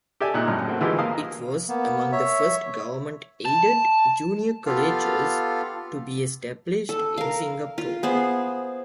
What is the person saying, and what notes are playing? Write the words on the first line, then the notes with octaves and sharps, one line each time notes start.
It was among the first government-aided junior colleges to be established in Singapore.
G4 A4 D5 E5 G#5
A#2 D#4 F#6
F#2 A2 F6
A3 A#3 C4 F#4
E3 G#3 D#4 F4 G4
A#3 F5 D#6
A#3 B3
C#5 E5
A5
B3 F4 G4 A4 F5 F6
A4
A#4 F5
F4
B3 G#4 C5